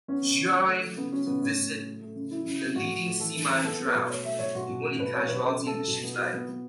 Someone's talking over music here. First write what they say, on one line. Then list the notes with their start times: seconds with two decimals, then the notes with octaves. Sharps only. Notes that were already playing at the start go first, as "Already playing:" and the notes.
During the visit, a leading seaman drowned; the only casualty in the ship's life.
0.08 B3 C#4
0.22 C#3
0.37 E3
0.53 A3
0.67 A3
0.82 A3
0.97 C#3 B3
1.12 F#3 C#4
1.26 C#3 B3
1.41 A2 C#4
1.56 A2
1.71 F#3
1.87 A3
2.01 A3
2.16 C#3
2.31 F#3 E4
2.46 C#3
2.61 F#3
2.75 A2 F#4
2.90 A2
3.06 A3
3.20 E3 A4
3.35 E3
3.50 E3
3.64 B3 A4
3.80 B3
3.87 B4
3.95 B2
4.10 A3 C#5
4.24 A3 E5
4.39 B2 C#5
4.55 B2 F#4
4.69 B2
4.84 A3
4.98 B2 B4
5.13 F#3 C#5
5.28 B2 B4
5.43 C#3 A4
5.59 C#3
5.67 A4
5.74 C#3
5.88 B2
6.04 B3
6.18 F#3
6.33 B3
6.48 B3